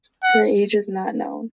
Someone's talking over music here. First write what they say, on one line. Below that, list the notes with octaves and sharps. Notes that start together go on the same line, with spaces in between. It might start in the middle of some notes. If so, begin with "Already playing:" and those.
Her age is not known.
F#5